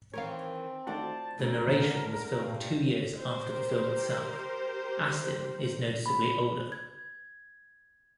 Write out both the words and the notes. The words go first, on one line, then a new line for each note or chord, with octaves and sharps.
The narration was filmed two years after the film itself; Astin is noticeably older.
D#3 E3 C4 A#4 C#5 F5
D#3 A3 F4 F#4 C5 D5 A5
D2 C#3 C4 A#4
D3 D#3 C#4
G2 C3
G4 A#4 C5
B5
G#6